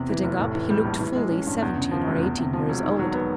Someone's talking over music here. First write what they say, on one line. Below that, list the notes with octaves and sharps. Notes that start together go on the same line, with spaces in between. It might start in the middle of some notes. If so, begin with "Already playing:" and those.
Sitting up, he looked fully seventeen or eighteen years old.
Already playing: E2 C3
E3
F1
A2
E3
G3
A#1
E3
G#3
C#4
G2
E2
C#3
F3
F1
E2
C3
F3
E1
D#3
F#3
B3